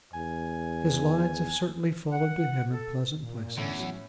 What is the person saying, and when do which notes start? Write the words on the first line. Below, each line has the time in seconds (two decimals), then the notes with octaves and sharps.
His lines have certainly fallen to him in pleasant places.
0.13 E2 G#5
2.11 F#5
2.72 A4
3.22 A#2
3.58 E2 A2 D3 C#4
3.79 F#3